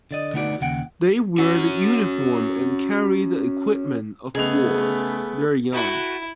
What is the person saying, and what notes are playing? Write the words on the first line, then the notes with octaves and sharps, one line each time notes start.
They wear the uniform and carry the equipment of war; they are young.
D3 D5 D#5
D3 A3 B3 D#4 F#4 D5
D#2 C#3 F#5 G5
C#4 F#4
C#3 A3 B3 G#4 D#5 F7
A3 E4 F#4